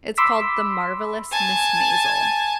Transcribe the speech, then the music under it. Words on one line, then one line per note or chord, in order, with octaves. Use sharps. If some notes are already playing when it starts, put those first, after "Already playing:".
It's called The Marvelous Miss Maisel.
B5 C6 D6 E6 B6
G#5 A5